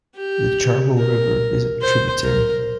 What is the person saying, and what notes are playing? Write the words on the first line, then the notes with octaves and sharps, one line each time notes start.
The Charwell River is a tributary.
G4
A#4
C5
A#4